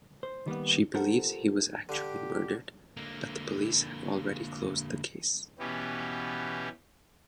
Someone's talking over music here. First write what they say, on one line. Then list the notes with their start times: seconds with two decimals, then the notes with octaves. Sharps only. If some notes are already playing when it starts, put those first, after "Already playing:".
She believes he was actually murdered, but the police have already closed the case.
0.23 C5
0.46 D#3 G3 A#3 B3
0.94 F4 G4 A4 A#4 C5 F#5
1.89 D3 G4 F5
2.97 D3 A#3
5.59 B2 E3 B3 C#4 G4